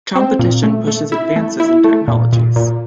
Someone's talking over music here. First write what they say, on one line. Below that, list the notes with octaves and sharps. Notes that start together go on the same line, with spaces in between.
Competition pushes advances in technologies.
C4
A#2
A3
A3
E4
A3
E4
A3
A#2
A#2
A#2